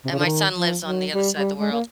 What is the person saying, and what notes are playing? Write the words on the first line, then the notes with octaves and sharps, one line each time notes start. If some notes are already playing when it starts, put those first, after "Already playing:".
And my son lives on the other side of the world.
C3
C#3
D3
D#3
F3
F#3
G3
G3
G#3
A#3